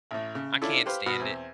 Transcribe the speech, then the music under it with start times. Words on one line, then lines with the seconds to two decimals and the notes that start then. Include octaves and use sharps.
I can't stand it.
0.11 A1 A2
0.35 C#3
0.62 C#4 D4 E4 F4 A4
0.86 G4 B4 C5 F5
1.06 B2 F#4 B4 D#6 F6
1.20 E2 C4